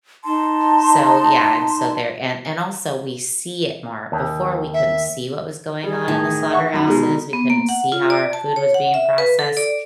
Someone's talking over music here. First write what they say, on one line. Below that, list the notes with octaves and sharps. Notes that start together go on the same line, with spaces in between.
so yeah, and so there and and also we see it more, before, we couldn't see what was going on in the slaughterhouses, we couldn't see how our food was being processed
D#4 A5 C6
D#2
E5
G3 G#4
A2 D#3
E5 F#5 C#6
F#2 D#4 B5
B2 G#3
B3
A#3
F#5
F4
D5
A5
C#5
F#5
E5
B4
A4
D5